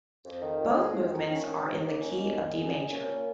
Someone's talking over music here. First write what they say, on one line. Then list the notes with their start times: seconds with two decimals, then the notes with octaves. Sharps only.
Both movements are in the key of D major.
0.24 F2
0.42 D#3
0.59 F2
0.77 G#3
0.95 F2
1.12 D#3
1.29 C#4
1.47 D#3
1.65 D#2
1.83 A#3
2.00 C#4
2.18 D#3
2.36 A#2
2.53 G#3
2.72 A#2
2.88 C#4
3.06 A#2